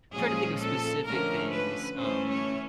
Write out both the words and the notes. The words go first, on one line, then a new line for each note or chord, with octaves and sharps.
trying to think of specific things, um
A#2 F3 G#3 C#4 G#4
A4
D3 F3 A3 C#4 A#4
B4
E3 A3 C#4 C5
C#5